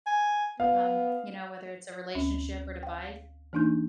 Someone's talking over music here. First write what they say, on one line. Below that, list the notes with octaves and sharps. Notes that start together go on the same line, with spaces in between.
Um, you know, whether it's a relationship or to buy
G#5
B3 F5
D2 C#4
F5 G5
E3 A#3 D4 D#4 G6